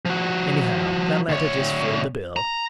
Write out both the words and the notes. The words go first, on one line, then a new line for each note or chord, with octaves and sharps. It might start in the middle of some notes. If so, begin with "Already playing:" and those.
Anyhow, that letter just filled the bill.
F3 F#4
D2 C#5
A#5